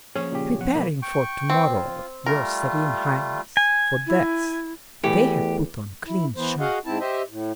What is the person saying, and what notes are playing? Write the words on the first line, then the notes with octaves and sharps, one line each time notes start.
"Preparing for tomorrow, your Serene Highness--for death--they have put on clean shirts."
F3 A#3 C#4 G#4
A#2 C#3 G4
F3 B3 F#5
B1 A#3 B5
G5 C#6
C4
F4
G3 A3 F4 A#4
G#5
E4
E2 E3 A3 G4
E4
E3 B3 C5
F#4 G#4 D#5 F5 F#5
G#2 C4 E4 A5
G4 C5 D#5 E5
A2